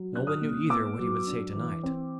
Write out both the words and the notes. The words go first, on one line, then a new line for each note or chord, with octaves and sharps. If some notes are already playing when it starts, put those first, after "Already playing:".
No one knew either what he would say to-night.
Already playing: F#3
D4 F#6
D#6 F6
A#2
B3 D6 E6
F#3
D4
E3
C4